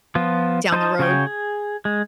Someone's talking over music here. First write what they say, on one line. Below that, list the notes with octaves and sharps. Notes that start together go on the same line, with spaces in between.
down the road?
F3 B3 F4
D#4 C5 D#5 A5
C#3 F#4 G#4 C#5 G5
G#4
G#3